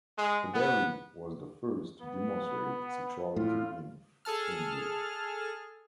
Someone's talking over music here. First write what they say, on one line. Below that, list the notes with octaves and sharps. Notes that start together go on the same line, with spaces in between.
De Bary was the first to demonstrate sexuality in fungi.
G#3
B3
B3
A2 F4
G#4 A4 A5 F6